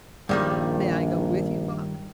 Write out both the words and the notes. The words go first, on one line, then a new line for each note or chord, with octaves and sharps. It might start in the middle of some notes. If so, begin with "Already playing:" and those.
"May I go with you, father?"
A#1 G2 D#3 G3